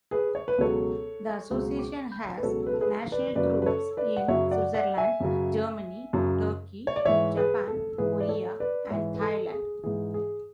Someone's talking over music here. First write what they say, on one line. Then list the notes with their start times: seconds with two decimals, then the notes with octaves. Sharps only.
The association has national groups in Switzerland, Germany, Turkey, Japan, Korea and Thailand.
0.11 G#4 B4
0.35 C#5
0.48 B4
0.58 C#2 B2 F#3 A4 C#5
1.51 C#2 B2 F#3
2.38 B4
2.43 C#2 B2 F#3 A4 C#5
2.67 B4
2.73 A4
2.81 G#4 B4
3.12 B4 D5
3.35 F#2 C#3 F#3 B4 D5
3.62 B4
3.66 A4 C#5
3.97 B4 D5
4.17 F#5
4.28 F#2 C#3 F#3 C#5 E5
4.51 D5 F#5
4.74 D5 F#5
4.97 E5 G#5
5.20 F#2 C#3 F#3
6.13 F#2 C#3 F#3
6.87 C#5
6.96 D5
7.05 G#2 E3 C#5 E5
7.37 G#4 B4
7.68 A4
7.98 G#2 E3 G#4 B4
8.20 D5
8.29 A4 C#5
8.60 B4 D5
8.90 G#2 E3 C#5 E5
9.14 B4
9.21 A4
9.52 G#4
9.83 G#2 E3 G#4
10.14 G#4